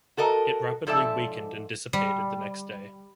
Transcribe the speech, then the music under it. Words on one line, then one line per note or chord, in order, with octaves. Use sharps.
It rapidly weakened and dissipated the next day.
F#4 A4 A#4 D#5
G#2 F3 A4 D5 E5 A5
G3